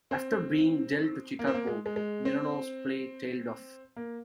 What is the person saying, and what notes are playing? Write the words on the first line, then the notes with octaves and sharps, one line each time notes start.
After being dealt to Chicago, Mironov's play tailed off.
C4
C4
A#3
C4
A#3
G#3
G#3
G#3
C4
A#3